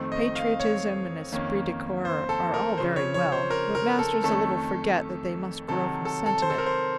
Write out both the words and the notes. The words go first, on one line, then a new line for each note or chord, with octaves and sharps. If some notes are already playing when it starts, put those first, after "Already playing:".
Patriotism and esprit de corps are all very well, but masters a little forget that they must grow from sentiment.
Already playing: F2 D#3 A3 C4
D#5
F5
C#5
F2 D#3 A#3 C#4
C5
A4
A#4
C#3 F3 C4 C5
C#5
C#5
C5
A#4
A#4
A4
F2 D#3 A3 C#4 A4
C3 D#3 F#3 A4
A4
A4
C5
A4
A#4
C5